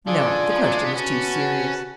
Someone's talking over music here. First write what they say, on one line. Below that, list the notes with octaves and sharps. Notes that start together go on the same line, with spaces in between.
No--the question was too serious.
D3 D4 F4 G#4 D5 G#5
F3
F#3
G#3
B3
C#4 F#4 B4 F#5 A5